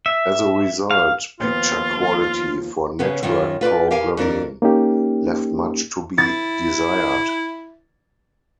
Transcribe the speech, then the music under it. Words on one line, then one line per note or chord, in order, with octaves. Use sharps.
As a result, picture quality for network programming left much to be desired.
E5
F5
D#2 F3 B3 F4
C#3 B3 C#4
F#2 D#3 C#4 F4
F4 B4 C5 D5
G4 A#4 F5 G#5
F2 D4 A#4 D5
A#3 C#4 D#4 G4
E4 A6